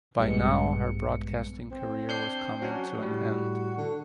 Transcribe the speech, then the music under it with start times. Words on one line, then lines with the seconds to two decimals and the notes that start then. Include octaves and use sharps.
By now her broadcasting career was coming to an end.
0.19 A#1 G2 G3 G#3 B3 C#7
1.71 C4
2.09 D4 G6 C7
2.62 F#3 C#4 D4 F#4
2.98 A2 G3
3.77 D3